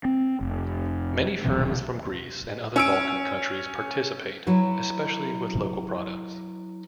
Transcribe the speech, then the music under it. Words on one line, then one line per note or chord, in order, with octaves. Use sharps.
Many firms from Greece and other Balkan countries participate, especially with local products.
C4
F1
D#1 B1 C3 E3
C#4 E6 D7
F#3 E4 B4